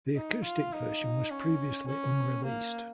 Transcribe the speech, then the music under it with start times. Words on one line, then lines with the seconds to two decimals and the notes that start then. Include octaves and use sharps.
The acoustic version was previously unreleased.
0.16 D#4
0.44 F4
0.73 D#4
1.30 C#4
1.87 C#4
2.45 A#3